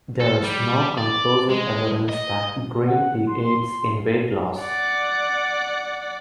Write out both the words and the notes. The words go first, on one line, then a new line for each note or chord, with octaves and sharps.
There is no conclusive evidence that green tea aids in weight loss.
A4
G3
D5
G#3
D#5
F#5
C6
D5 F#5